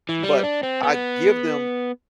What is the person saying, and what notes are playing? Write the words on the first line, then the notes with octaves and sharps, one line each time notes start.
but I give them
E3
G3
D4
C4
B3